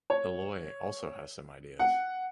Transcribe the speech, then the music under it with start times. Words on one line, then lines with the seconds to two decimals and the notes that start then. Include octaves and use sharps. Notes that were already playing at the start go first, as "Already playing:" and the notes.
Eloy also has some ideas.
0.10 C#5
1.79 F#5